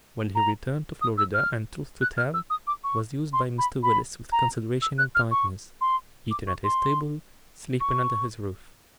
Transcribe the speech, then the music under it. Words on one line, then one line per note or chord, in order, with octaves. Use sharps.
Well, he returned to Florida, and, truth to tell, was used by Mr. Willis with consideration and kindness, eating at his table, sleeping under his roof.
A#5
D#6
E6
F6
F#6
F6
E6
D#6
D6
C#6
C6
B5
B5
A#5
E6
F#6
F6
C#6
C6
D6
C#6
C6
C#6